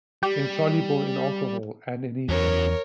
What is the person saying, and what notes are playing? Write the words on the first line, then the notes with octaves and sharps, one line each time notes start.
Insoluble in alcohol and in ether.
G3 G4
E2 F#3 C#4 A#4 C#5